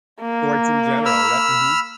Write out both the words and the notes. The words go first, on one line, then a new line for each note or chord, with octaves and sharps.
Sports in general, yep, mhm.
A#3
B5 E6 F6